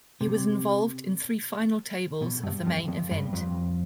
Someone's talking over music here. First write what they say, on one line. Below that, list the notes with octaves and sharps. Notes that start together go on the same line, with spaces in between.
He was involved in three final tables of the Main Event.
C3
B2
G2
F2
F2
G2
F2